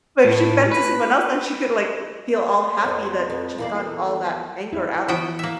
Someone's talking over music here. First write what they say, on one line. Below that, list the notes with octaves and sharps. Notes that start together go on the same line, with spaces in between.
But if she vent to someone else, then she could, like, g feel all happy that she's gotten all that anger out of
A2
B4
C#5 C6
F2 B3
F2 B4
E2 A#3 E4 D5 F5
A4
E4
E3 B3 F#4 G5
A#3 E5